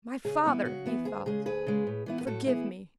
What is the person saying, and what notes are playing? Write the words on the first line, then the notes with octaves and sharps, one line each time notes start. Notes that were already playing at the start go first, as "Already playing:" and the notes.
"My father," he thought, "forgive me!"
C#3 G#4
E3 B3 E4
C#3 F#4
E3 B3 E4
D2 G#4
C#3 G#3 G#4
D2 G#4 B4
C#3 G#3
A2
E3 B3 E4
B4
A2 F#4 A4
E3 B3 E4 G#4